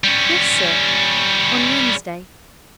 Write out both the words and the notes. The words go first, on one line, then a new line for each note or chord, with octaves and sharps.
"Yes, sir, on Wednesday."
G3 C#4